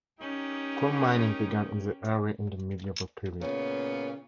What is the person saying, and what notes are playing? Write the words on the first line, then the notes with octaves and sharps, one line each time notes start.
Coal mining began in the area in the medieval period.
C#4 D#4 G4 A#4
A#2 C#3 B3 C#4